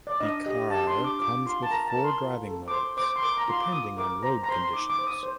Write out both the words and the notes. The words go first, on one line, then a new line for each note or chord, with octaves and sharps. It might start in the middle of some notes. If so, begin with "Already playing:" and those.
The car comes with four driving modes depending on road conditions.
D5
D4 D#5
G4 D#5
G4 A5
C6
D4
D6
F4 D6
F4 C6
A5
A#4 A#5
A5
A#4
C6
F4
A4
D6
C5 C6
C5 D6
C6
A#4 D6
A#5
F4 C6
D6
F4 D#6
A#4 D6
C5 A#5
A#5
C5 C6
C6
D#4 D6
D6
C5
D#6
C5